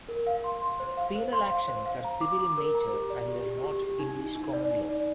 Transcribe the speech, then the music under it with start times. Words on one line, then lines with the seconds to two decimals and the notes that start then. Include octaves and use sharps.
Penal actions are civil in nature and were not English common law.
0.09 A#4
0.27 F5
0.44 C6
0.62 C6
0.80 C5
0.97 F5
1.16 C5
1.33 C6
1.51 F5
1.68 C5
1.86 F5
2.05 A#5
2.21 D6
2.40 D6
2.58 A#4
2.75 A#5
2.93 G4
3.10 D5
3.28 G4
3.46 G4
3.64 G4
3.82 G4
3.99 D#4
4.17 D#4
4.35 D#4
4.53 D5
4.71 D#4
4.88 D5